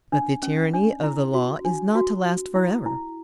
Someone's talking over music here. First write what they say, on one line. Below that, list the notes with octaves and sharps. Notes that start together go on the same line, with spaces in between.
But the tyranny of the Law is not to last forever.
D4
C#4
D4
E4
F#4
D4
F#4
E4
E4